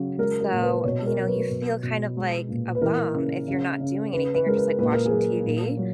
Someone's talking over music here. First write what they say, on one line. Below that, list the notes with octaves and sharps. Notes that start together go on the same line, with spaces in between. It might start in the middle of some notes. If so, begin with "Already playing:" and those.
So, you know, you feel kind of, like, a bum, if you're not doing anything, or just, like, watching TV.
Already playing: C#3 F#3
G#3 A#4
A#4
A#2
B4
B2 C#5
A#4
F#3
B4
B2
B2
G#3
A#2
B4
E3 A#4
C#3
C#3
C#3
C#3 B4
B4
G#3 A#4
B4
A#2 B4
A#4
G#4
F#3
A#4
A#2
F#3